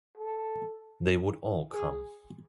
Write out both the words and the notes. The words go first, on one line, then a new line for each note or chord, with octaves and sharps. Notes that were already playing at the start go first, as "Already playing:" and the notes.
They would all come.
A4
G#4